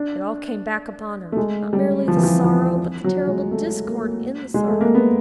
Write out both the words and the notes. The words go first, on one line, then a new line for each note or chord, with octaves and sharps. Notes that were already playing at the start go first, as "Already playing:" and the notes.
It all came back upon her; not merely the sorrow, but the terrible discord in the sorrow.
Already playing: D4
A3
G#3
G3
F3
E3
F3
F3
F#3
G#3
A3
A#3
G#3
A3
A#3
B3